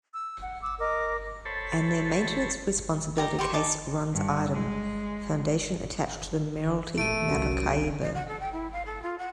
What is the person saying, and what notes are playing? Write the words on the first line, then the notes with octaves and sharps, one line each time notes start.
And their maintenance responsibility Case runs idem, Foundation attached to the Mayoralty Maracaibo.
E6
F#5
D6 E6
A#4 D#5 D6
A4 C5 C#5 A5 B5
D#4 G4 A#5
G4 C6 C#6
D#4 A5 D6
G2
G#3
A#1 A3 D7 D#7
C2 F#2
D#5
F#5
A4
G5
E4
F5
A4
F4
F#5